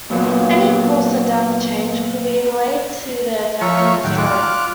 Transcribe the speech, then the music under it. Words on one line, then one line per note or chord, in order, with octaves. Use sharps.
Any course or depth change could be relayed to the attacking destroyer.
A#2 F#3 A#3 B3
F3 C#5 E5 A#5 C#6
D#2 A2 F#3 G5
F4 D6 F#6
F6